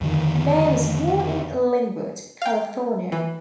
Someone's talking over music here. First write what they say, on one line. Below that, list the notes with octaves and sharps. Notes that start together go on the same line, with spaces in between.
May was born in Lynwood, California.
F2 D3 D#3
F5 G5
E3